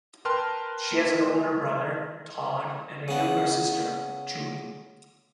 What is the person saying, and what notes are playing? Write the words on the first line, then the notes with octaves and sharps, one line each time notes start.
She has an older brother, Todd, and a younger sister, Julie.
A#4 B4 G5 A5 C6 F6
C#3 B3